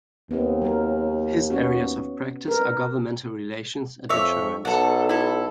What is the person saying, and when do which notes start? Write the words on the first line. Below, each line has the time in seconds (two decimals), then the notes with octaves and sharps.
His areas of practice are governmental relations and insurance.
0.31 D#2 B3 C4
0.62 F#3 A#4
1.50 B3 C#4 F#4
2.48 A#4 B4
4.09 F2 C#5 E5
4.65 B1 A4 F#5
5.09 E4 A4